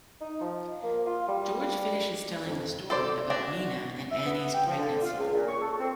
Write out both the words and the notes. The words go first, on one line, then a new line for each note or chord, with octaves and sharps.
George finishes telling the story about Nina and Annie's pregnancy.
D#4
F3
A#3
F4
G3
F2
A4 C5 D5
D4 F#4
E5
B3
G5
F3
D3
F4
C#2
A#2
C#6
A4
C4